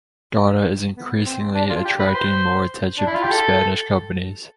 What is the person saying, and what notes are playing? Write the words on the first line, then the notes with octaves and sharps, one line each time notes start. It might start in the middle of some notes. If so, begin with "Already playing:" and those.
Ghana is increasingly attracting more attention from Spanish companies.
B3
C4
D4
F4
G4
B4
C5
D4
E4
F4
G4
A4